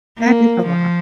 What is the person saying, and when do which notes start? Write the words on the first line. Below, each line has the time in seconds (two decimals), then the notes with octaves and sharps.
That is a lot.
0.19 A#3
0.66 F3